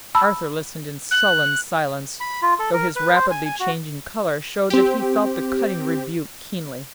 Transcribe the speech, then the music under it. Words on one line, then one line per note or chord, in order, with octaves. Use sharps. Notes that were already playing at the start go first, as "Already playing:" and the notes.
Arthur listened in sullen silence, though his rapidly changing color showed that he felt the cutting rebuke keenly.
A5 B5 E6
F#6
B5
F4
A4
A#4
B4
C5
G#5
G#5
F#4
C4 G4